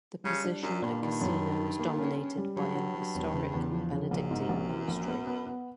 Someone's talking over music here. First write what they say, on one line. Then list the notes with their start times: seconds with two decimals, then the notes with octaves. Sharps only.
The position at Cassino was dominated by an historic Benedictine monastery.
0.24 C#3 G3
0.44 D4
0.63 F#2 D4
0.82 G2 A#2
1.01 G2 D#3
1.21 F#2
1.41 D#3
1.60 D#3
1.79 A#3
1.99 C#4
2.18 C#4
2.37 G3
2.56 G2 F#3
2.75 F#3
2.95 F#3
3.15 E1
3.33 C#3
3.54 E2
3.72 F3
3.92 C#3
4.11 A#1 F#2
4.31 G#2
4.49 A#1
4.69 E3
4.88 A#1
5.08 B3
5.27 B3
5.47 B3